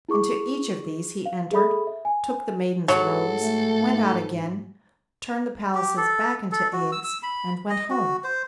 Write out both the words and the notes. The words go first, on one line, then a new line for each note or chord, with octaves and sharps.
Into each of these he entered, took the maidens' robes, went out again, turned the palaces back into eggs, and went home.
E4 G#4 C#6 D6
F5
G#4 A4 E5 B5 D#6
E5
G#5
G#2 F#3 A4
A3
G4
A4
A4
F#4
E6
E6
B5
D#5
F#4
C5